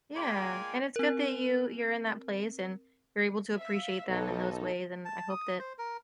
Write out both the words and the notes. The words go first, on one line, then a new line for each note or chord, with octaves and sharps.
Yeah. And it's good that you you're in that place and you're able to appreciate them in those ways, and I hope that,
A#2 G#3 D5 F5 G5 G#5
C4 A#4
E5 F5
B1 D#4 A4
A5
D#6
C5
A#4